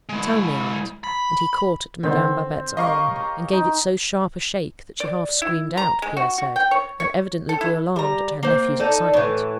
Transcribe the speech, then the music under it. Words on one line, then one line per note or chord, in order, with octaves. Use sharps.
Tell me, aunt,' and he caught at Madame Babette's arm, and gave it so sharp a shake, that she half screamed out, Pierre said, and evidently grew alarmed at her nephew's excitement.
G#3 E4
B5
D3 D#3 B3 C4
G4 A#4 C#5 D#5 F5 C#6
A#5
D#4
D5
E4
A#5
G#3
F#4
F#4
G5
C#5
C#5
A4
E4
G3 A#5
A#3 C4
D#4 A4 D5
A2 E3